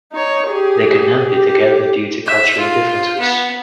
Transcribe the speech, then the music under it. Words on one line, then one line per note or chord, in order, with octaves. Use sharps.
They could not be together due to cultural differences.
D#4 C#5
G4 G#4
G4
E5
F4
B3